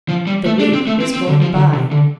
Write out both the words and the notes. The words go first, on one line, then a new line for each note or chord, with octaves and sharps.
The week was going by.
F3
G3
A3
D4
C4
A3
C4
C4
D3
F3
D3
C3
D3